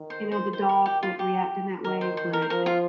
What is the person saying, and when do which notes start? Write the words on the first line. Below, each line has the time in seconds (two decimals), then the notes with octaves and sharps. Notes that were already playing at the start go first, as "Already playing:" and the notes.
you know, the dog would react in that way, but it,
Already playing: D#3
0.10 C5
0.32 C5
0.53 D#3 C5
0.69 A#4
0.86 G4
1.03 F4
1.19 G4
1.84 D#3 A#4
2.01 C5
2.17 C5
2.33 A#4
2.42 C5
2.50 F3 A#4
2.66 F4